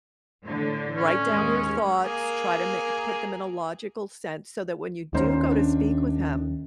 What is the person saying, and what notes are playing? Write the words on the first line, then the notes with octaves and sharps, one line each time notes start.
Write down your thoughts, try to ma put them in a logical sense, so that when you do go to speak with him,
A2 D3
C#4
D#2 G#3
A#3 G#4
D#2 D#3 A#3 C#4 C5 A#5
D4